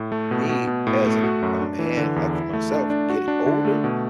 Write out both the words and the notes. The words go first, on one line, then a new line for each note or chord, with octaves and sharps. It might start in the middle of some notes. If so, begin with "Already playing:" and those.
me as a a man, like for myself, getting older,
Already playing: A2
A3
B2
B2
B2
A2
A3
F#4
F#2
D4
E3
D3
E2
E4
A3
D4
D4
F#4
D4
D3
A3
B2